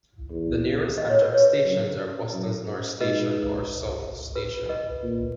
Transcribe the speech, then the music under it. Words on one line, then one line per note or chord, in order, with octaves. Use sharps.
The nearest Amtrak stations are Boston's North Station or South Station.
E2
D#5
C#5
B4
C#5
F#2
F#2
G#2 B4 D#5
B4
B4 D#5
A#2